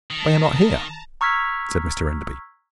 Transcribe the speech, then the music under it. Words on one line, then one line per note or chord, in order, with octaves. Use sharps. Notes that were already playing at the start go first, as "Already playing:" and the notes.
"They are not here!" said Mr Enderby.
D#3 A5 A#5
A#5 C#6 E6 F6 G#6 B6